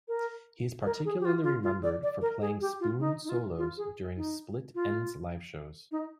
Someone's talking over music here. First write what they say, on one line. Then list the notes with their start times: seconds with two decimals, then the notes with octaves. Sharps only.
He is particularly remembered for playing spoon solos during Split Enz live shows.
0.08 A#4
0.85 A#4
1.05 G#4
1.20 G4
1.25 F4
1.43 F4
1.63 F4
1.83 D5
2.03 D5
2.22 A#4
2.41 G#4
2.61 G4
2.80 F4
3.00 D#4
3.24 D#4
3.29 F4
3.58 F4
3.77 G#4
4.17 D#4
4.75 F4
5.92 D#4